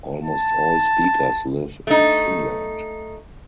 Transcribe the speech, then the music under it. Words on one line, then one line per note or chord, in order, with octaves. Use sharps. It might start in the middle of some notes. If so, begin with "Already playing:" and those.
Almost all speakers live in Finland.
A5
A3 D#4